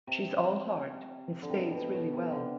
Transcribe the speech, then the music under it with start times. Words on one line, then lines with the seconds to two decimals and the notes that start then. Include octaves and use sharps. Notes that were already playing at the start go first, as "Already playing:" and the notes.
She’s all heart and stays really well.
0.07 C3
1.42 D3
1.49 C3
1.57 B2
1.75 B2
1.94 B2
2.13 C3
2.32 D3